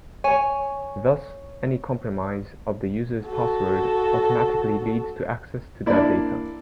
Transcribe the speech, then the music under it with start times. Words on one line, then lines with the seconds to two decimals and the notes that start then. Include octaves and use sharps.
Thus, any compromise of the user's password automatically leads to access to that data.
0.24 C#5 G#5
3.26 F#4 A4
5.86 A#3 D4 E4 D5